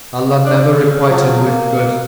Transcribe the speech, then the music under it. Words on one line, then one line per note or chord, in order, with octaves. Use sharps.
Allah never requite him with good!
D4
C#3
F3 F#3
A#3